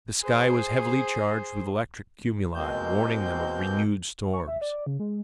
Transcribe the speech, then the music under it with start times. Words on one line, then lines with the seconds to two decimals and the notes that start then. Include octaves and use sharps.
The sky was heavily charged with electric cumuli, warning them of renewed storms.
0.21 G#4 C5
2.55 B2 G#3 A#3 C4 G6
4.33 C#6
4.47 E5
4.61 D5
4.86 C#3
5.00 G#3